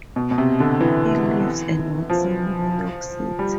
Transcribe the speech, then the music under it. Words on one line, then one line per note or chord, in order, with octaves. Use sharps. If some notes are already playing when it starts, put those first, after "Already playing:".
He lives and works in New York City.
B2
B2
C3
D3
E3
F3
G3